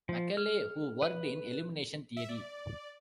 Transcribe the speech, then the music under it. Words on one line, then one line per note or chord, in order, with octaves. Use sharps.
Macaulay, who worked in elimination theory.
F3
F6
B4
E5
D5